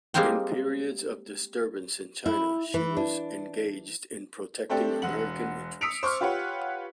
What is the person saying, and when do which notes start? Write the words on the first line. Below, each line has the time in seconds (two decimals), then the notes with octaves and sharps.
In periods of disturbance in China she was engaged in protecting American interests.
0.14 G3 G#3 A#3 C4 C5 G5
2.26 E4
2.74 E3
2.97 D4
4.69 A3 C4 D4 G4 A4
5.02 E1 F#5 F#7
5.81 D#6 E6 B6 C#7 D7 F7
6.03 C5 C#6 D6 F6
6.21 F4 G4 B4 C#5 F#5